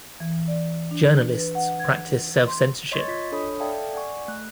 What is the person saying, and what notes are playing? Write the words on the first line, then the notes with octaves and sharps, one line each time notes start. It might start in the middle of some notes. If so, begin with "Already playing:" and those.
Journalists practice self-censorship.
E3
D5
D4
B4
F#5
G#6
C6
C#5 D#5 C6 C#6 G#6 A6
F4 D#5 B6
D4 A4 C#5 B5 D#6
A4 D5 E5 F5 G5 A5
D5 F#5 G#5 C#6
A3 F#6